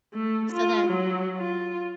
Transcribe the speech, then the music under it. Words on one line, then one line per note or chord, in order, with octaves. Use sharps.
So then
A3
F4
F#3
F4